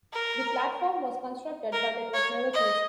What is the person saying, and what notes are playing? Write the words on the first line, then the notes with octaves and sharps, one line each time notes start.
The platform was constructed, but it was never used.
A#4
A#4
C#5
D#5